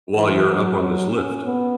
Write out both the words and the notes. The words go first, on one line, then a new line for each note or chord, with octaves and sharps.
While you're up on this lift.
E3
F#3
F#3
C#4
B3